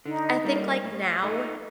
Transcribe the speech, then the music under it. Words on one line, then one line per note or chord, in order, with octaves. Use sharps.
I think, like, now,
D3 D#4
G3 A#3
A2
A3 D#4